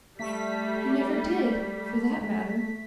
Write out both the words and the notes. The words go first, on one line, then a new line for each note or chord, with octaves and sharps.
He never did, for that matter.
G3 A3 B6